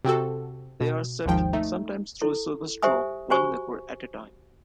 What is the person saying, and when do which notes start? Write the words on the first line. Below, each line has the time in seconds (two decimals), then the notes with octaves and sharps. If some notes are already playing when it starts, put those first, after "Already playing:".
They are sipped, sometimes through a silver straw, one liqueur at a time.
0.05 C3 C4 F#4 A4
0.81 B2
1.26 G#1 D#2 G#2 F3 G5
1.53 A3 D#4
2.22 E4 A4
2.82 G4 C5 E5 G#5 D#6
3.30 F#4 G4 C5 G#5 C#6